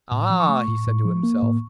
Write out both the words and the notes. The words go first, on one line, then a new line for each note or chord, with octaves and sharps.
'Ah!' he said to himself.
A2
F3
C#6
A3
A2
A2
F3
A#3
A2